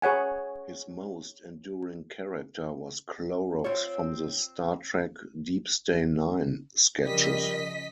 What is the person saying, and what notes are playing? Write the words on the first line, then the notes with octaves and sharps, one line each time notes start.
His most enduring character was Clorox from the "Star Trek: Deep Stain Nine" sketches.
G#4 C#5 F#5 G#5
C4 F4 C#5
C#3 F3 G3 A#4 D#5 B6